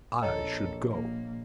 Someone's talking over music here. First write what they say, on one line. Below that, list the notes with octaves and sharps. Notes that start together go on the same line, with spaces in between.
"I should go."
A#1 A4 C#5 D#5 A#5
A#3